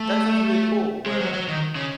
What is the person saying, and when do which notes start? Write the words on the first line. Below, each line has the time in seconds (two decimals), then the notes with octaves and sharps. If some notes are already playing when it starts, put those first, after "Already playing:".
That sounds really cool, where
Already playing: A3
1.06 G#3
1.20 F#3
1.33 F#3
1.48 D#3
1.75 C#3